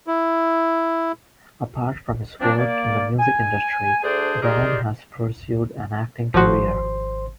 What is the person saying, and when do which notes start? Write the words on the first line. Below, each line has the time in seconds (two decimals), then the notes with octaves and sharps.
Apart from his work in the music industry, Brown has pursued an acting career.
0.07 E4
2.40 F3 F#3 C4 D4
2.57 A#3 D5
3.19 G#5
4.03 D2 D4 G#4 C5 D5
4.42 D#4 G4 G#4 A#4 C5 D5
6.34 G#1 F3 F#4 C5 C6